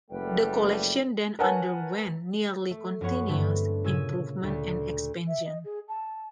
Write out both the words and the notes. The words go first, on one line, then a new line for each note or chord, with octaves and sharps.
The collection then underwent nearly continuous improvement and expansion.
F#1 G3 A3 B4 F#5 G5
A#4 B4 C#5 F#5 G#5 A5
A3
F#2 F3 B3 C#5 F#5
G2 D3 A3 B3 C4
A#2 C#3 E6 G#6 D#7
D2
E5
D#5
G#4
A5